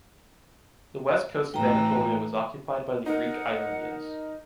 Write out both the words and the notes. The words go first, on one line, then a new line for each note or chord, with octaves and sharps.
The west coast of Anatolia was occupied by the Greek Ionians.
A2 E3 G5 A#5
D#4 A#4 F#5